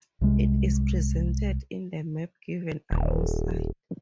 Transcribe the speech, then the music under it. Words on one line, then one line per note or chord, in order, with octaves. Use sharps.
It is presented in the map given alongside.
C2 C3 G#3
D#1